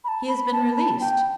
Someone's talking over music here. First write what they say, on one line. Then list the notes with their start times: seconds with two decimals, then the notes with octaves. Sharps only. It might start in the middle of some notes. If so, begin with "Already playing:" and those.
"He has been released."
0.04 B5
0.08 A5
0.28 B5
0.52 A5
0.77 B5
0.81 A5
1.01 G5